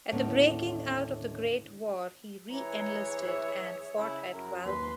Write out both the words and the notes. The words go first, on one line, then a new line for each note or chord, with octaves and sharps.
At the breaking out of the great war he re-enlisted and fought at Valmy.
D#2 A2 D3 A3 B3 C#4
E3 G#4 C#5 A#5
E5
C#3 E4
F#2 A#4
D#2 B4 C6